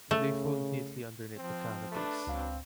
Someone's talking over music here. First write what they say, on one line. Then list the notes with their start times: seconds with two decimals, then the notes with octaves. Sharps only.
They fold neatly underneath the carapace.
0.11 C#3 A3
1.37 F3 C4
1.91 A3 D4 B4
2.27 C#2 F#3 C4 F5